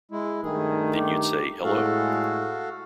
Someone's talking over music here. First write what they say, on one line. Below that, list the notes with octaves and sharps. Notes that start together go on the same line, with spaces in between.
Then you'd say, 'Hello!'
G#3 E4
G2 D#3 A3 G#4
G4
A2 G#3 F#4 A4 F5